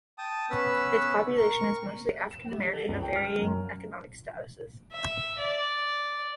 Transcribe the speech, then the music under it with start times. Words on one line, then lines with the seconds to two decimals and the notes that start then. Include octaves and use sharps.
Its population is mostly African American, of varying economic statuses.
0.18 G5 A5 D#6
0.50 B3 C#4 B4 E6
1.37 A#4 C#6
2.31 E7
2.51 G4
2.73 A4
2.89 C#2
3.03 G5
3.16 F6
3.38 F#2
4.92 E5
5.39 D5